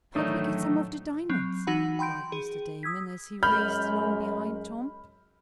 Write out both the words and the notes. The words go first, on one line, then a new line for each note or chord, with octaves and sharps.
"Can't we get some of the diamonds?" cried Mr. Damon, as he raced along behind Tom.
A2 D#3 E3 F#3 A3 D4 D#4 C#5
F#3 C4
E3 D#4 F#4 F#5 B5
G5 B5 C6 G6 D7
G#4
D#6 E6 G#6 B6
F#2 G#3 B5 F6 G6